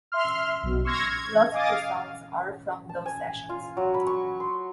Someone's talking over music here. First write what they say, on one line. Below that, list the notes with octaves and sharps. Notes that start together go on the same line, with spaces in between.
Lots of the songs are from those sessions.
E5 C6 F6
B1 B2
C6 C#6 E6 F6 G#6 A#6
G#6
D#5 F5 G#5 D6 D#6 A6
F5
A5
G#5
F4
F#3
B5
C#6
C6